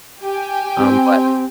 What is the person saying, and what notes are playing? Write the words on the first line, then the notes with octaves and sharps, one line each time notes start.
um, but
G4 G5 G#5
C4